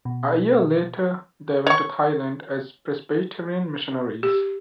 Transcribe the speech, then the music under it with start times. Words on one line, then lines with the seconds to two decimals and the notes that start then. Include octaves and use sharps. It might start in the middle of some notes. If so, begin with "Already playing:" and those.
A year later, they went to Thailand as Presbyterian missionaries.
0.05 B2
1.66 C#5 C#6
4.23 G4